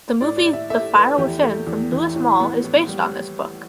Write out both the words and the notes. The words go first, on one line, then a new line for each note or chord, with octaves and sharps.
The movie "The Fire Within" from Louis Malle is based on this book.
A2 D5
D5
A2
E5
A3 E5
A3 B4
E2 G4
A3
E2
E3
A2
B3
A2
G3